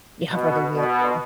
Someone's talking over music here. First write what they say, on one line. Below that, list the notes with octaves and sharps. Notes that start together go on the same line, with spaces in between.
Yeah, for the vehicle.
B2
B2